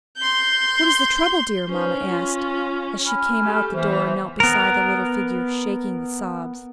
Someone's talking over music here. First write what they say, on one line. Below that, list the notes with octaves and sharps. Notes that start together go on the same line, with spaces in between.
"What is the trouble, Dear?" Mamma asked, as she came out the door and knelt beside the little figure shaking with sobs.
C6 G6
C#4 D#4 B4 C5
F4
G#5 B5 F6
A3 G4
E3 B3 C5 E5
B3 A#4